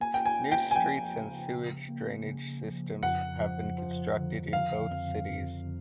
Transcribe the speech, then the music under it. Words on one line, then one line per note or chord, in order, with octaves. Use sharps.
New streets and sewage drainage systems have been constructed in both cities.
A#3 G#5
G5
G#5
A#3
G5
G#5
F3 G5
C#3
C#3
A#3
C#3
F3
F2 F#5
F3
F3
D3
F3 F5
F2
F2